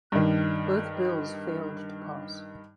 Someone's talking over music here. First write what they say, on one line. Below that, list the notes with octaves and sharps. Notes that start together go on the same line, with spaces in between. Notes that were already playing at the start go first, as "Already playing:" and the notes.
Both bills failed to pass.
G2 D#3